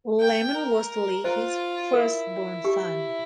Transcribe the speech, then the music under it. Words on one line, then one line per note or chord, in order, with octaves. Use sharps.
Laman was Lehi's first-born son.
G5
A#4
F4 C5
E4 A#4
G4